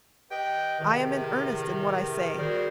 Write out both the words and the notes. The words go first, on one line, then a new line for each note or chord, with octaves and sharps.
I am in earnest in what I say.
G4 B4 D#5 G5
E2 A2 C3 D#3
G3 F#4 G#4 A#4 C5 D5